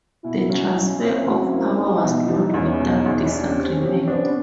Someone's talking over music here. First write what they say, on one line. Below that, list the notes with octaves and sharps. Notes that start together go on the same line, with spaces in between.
The transfer of power was not without disagreement.
B2 E4
F#3 C#4
B1 C#4
A#3 C4
F#3
A#3
G3 D#4
E4
B2 D#4
G3 D#4
E2 C#4
B2
E2
C#4 D4
C3 C4
C#4
C3 C4
B3 D4